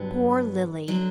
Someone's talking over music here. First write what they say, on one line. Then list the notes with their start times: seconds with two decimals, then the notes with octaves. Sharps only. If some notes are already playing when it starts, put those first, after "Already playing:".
Poor Lily!
Already playing: G2 D3 F#3 B3
0.88 D3 F#3